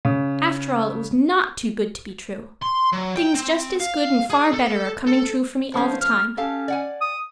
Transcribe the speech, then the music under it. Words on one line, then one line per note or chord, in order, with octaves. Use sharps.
After all, it was NOT too good to be true . . . things just as good and far better are coming true for me all the time.
C#3
C6
F#3
G5
C4
F5
G#4
A4
A4
F3 A3 C#4 C5
F6
C#4 G4 A4 F5
D5 F#5 G#5
D#6